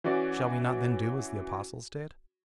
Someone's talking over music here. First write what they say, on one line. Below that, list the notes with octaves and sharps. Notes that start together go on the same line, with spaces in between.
Shall we not then do as the apostles did?
E3 C#4 F#4 D5